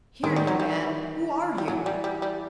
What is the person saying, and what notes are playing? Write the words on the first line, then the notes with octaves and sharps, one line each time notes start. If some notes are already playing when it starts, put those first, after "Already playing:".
Here, you man, who are you?
D#3 G#3
G3
F#3
G3
G3
E3 F#3
G3
G3
G3